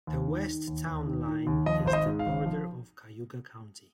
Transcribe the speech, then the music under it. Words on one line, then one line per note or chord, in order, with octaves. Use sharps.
The west town line is the border of Cayuga County.
D#2
D#3
D#3
D#2
D#2
D#3
D#3
D#2
F3 D#5
G#1 C5
D#5
G#2
F5
G#1
F3